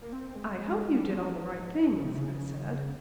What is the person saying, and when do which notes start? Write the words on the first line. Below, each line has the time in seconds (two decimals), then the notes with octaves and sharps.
"I hope you did all the right things," I said.
0.02 A#3
0.13 C4
0.35 G#3
0.59 G#3
0.95 G3
1.04 F3
1.51 G#2
1.97 C#3
2.06 C3
2.16 C#3